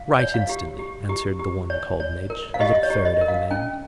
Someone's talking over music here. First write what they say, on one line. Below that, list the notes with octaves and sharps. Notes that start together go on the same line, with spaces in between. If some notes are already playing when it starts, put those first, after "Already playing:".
"Right instantly," answered the one called Midge, a little ferret of a man.
Already playing: F5
C#5
F5
G4
G4
G4
G4
C#5
C#5
A#4
F5
G4 D#5
C#5
G4
D#5
A#4
F5
C#4 G5